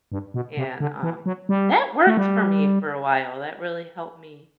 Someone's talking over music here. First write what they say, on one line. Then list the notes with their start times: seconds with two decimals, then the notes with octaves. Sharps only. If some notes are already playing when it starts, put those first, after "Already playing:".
And, um, that worked for me for a while, that really helped me
0.12 G2
0.34 B2
0.57 C3
0.80 D3
1.03 E3
1.26 F#3
1.49 G3
2.07 A3
2.17 G3